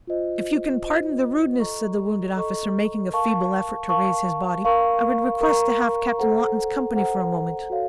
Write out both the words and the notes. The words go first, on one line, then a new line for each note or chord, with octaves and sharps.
"If you can pardon the rudeness," said the wounded officer, making a feeble effort to raise his body, "I would request to have Captain Lawton's company for a moment."
F4 C5 D#5
F4 C5 D#5
A4 D#5 A#5 C#6
A4 D#5 A#5 C#6
A#4 F5 A5 C#6
A#4 F5 A5 C#6
A#4 F5 A#5 C#6
A#4 F5 A#5 C#6
A4 C5 F#5 A#5
A4 C5 F#5 A#5
F#4 A4 C#5 F5